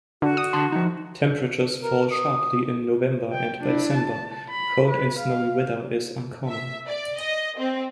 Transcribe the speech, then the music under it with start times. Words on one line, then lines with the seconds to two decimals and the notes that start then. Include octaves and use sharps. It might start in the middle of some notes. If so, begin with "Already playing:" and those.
Temperatures fall sharply in November and by December, cold and snowy weather is uncommon.
0.22 D3 F#4
0.37 D#6
0.53 D3 A5 C6
0.72 F3 D#4
1.81 A#4
2.10 D#6
3.32 G5
3.62 D4 E4
3.94 A5
4.49 B5
4.89 B4
5.19 F5
6.48 E5
6.86 D5
7.18 D#5
7.58 C4